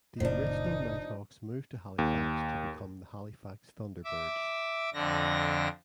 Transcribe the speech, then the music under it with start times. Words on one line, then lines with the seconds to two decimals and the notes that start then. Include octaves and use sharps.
The original Knighthawks moved to Halifax to become the Halifax Thunderbirds.
0.20 F#1 A#2 C#3 F3 D4 D#4
1.98 D#2
4.04 E5 D6
4.94 F2 D3 D4 A#6